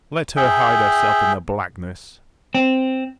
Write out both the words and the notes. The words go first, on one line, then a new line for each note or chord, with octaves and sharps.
Let her hide herself in the blackness.
G#4 E5 G5
C4